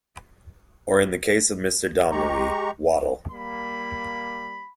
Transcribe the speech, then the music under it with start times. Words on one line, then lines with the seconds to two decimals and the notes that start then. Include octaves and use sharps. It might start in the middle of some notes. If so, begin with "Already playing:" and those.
Or in the case of Mr Donlevy, waddle.
2.11 G#3 G4 A#5 C#6
3.32 G3 A#3 B5